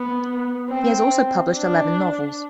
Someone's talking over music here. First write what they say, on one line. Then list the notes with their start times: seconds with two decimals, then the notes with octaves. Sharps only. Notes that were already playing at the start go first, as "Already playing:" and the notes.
He has also published eleven novels.
Already playing: B3
0.69 C4
1.56 D4